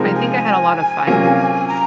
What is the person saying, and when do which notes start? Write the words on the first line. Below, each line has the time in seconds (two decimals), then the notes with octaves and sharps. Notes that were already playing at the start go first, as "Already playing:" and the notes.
I think I had a lot of fun
Already playing: C3 F3 G#3 D#4 A#4
0.16 G#5
1.07 C3 F#3 A#3 C#4 F4
1.68 A#5